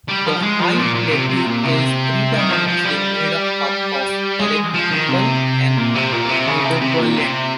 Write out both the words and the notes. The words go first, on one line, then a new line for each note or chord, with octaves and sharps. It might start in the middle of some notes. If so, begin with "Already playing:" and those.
The high plateau is predominantly made up of arable and meadowland.
G3
F3
G#3
F3
A#2
A#2
C3
C3
A#2
C3
D#3
F3
F3
G3
G#3
F3
D#3
C3
A#2
C3
A#2
C3
C#3
C3
C3
A#2
C3